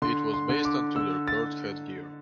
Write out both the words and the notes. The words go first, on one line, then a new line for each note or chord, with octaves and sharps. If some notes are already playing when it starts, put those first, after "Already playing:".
It was based on Tudor Court headgear.
D3 C6
C6
D3
D6
D3 E6
A6